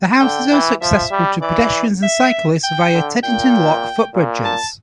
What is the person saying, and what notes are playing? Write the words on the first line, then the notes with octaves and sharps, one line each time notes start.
The house is also accessible to pedestrians and cyclists via Teddington Lock Footbridges.
D3 G5
E3
F3 E5
G3
E3 D5
E5
G5
D3
A#2 G5
A#2
A5